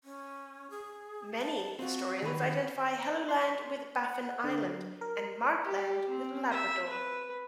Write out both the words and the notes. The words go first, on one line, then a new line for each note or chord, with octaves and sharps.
Many historians identify Helluland with Baffin Island and Markland with Labrador.
C#4
G#4
A5
C4 F4 F#4
D#3 B4
C6
F#5
D3
F#3
A#4
G4
C4
E5
B4